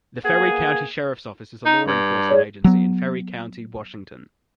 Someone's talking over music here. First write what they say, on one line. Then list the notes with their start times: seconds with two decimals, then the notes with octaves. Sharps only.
The Ferry County Sheriff's Office is a law enforcement agency in Ferry County, Washington.
0.25 A#3 B3 G#4
1.65 D#4
1.87 G2
2.29 G#4 C#5 D5
2.64 F#3 B3